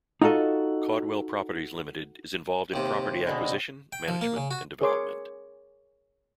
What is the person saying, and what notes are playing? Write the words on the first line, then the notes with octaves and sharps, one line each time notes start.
Caudwell Properties Limited is involved in property acquisition, management and development.
D#4 F4 F#4 A4 D#5
D#2 C3 G4
B2 D3 G#3 B5
G5
F3
A#3
C#3
F#4
G#4 A#4 C#5 C6 D6